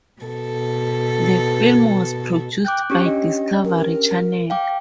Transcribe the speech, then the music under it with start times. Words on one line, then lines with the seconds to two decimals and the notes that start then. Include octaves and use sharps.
The film was produced by Discovery Channel.
0.23 B2 A4
2.65 G5 D6 F#6 G6
2.90 C#4 D4 G4 C#6
3.05 D#5
3.65 A#4
4.50 F5 G5 D6